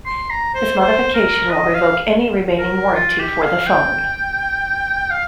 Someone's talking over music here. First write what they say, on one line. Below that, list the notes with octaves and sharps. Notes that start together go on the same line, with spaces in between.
This modification will revoke any remaining warranty for the phone.
C6
A#5
C5
C5
A#4
D#5
F5
A#4
F4
G4
F5
G5
F5